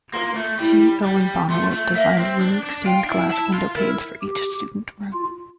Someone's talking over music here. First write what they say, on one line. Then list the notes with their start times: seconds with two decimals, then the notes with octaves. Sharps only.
G. Owen Bonawit designed unique stained glass windowpanes for each student room.
0.14 A#3 F4
0.36 A3
0.59 G3 E4
1.04 G3
1.49 A3 F4
1.72 A3
1.95 A#3 E5
2.18 C4
2.40 D4
2.63 D4
2.86 F4 G5
3.04 D4
3.09 E4
3.31 E4 A5
3.54 F4
3.76 E4 A#4
4.22 G4
5.13 F4